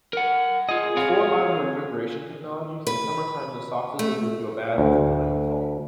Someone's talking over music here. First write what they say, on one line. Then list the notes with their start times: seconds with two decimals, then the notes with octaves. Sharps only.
Before modern refrigeration technologies, in summertime the sausages would go bad before nightfall.
0.13 A#4 F#5
0.69 F4 G#4 D#5
0.97 C4 C#5 F5
2.87 B4
3.99 A3
4.78 D2